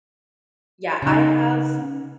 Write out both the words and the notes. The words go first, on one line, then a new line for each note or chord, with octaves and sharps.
Yeah, I have
C#3 D#4